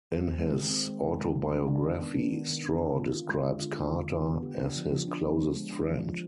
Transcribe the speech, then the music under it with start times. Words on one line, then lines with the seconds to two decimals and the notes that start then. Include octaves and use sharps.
In his autobiography Straw describes Carter as his closest friend.
0.22 C4
0.39 G#3
0.55 D#3
0.70 C4
0.87 G#3
1.03 C3
1.19 G#3
1.35 D#3
1.52 D4
1.68 D4
1.83 D#3
2.00 B3
2.16 B3
2.32 D#3
2.49 D#3
2.65 D4
2.81 D3
2.97 F4
3.13 F4
3.29 G#3
3.46 D3
3.62 F4
3.78 F4
3.95 D3
4.11 B3
4.26 B3
4.43 G4
4.58 D4
4.76 F3
4.92 F3
5.08 D4
5.24 B3
5.40 G#3
5.56 G#3
5.73 D4
5.89 F3
6.05 F3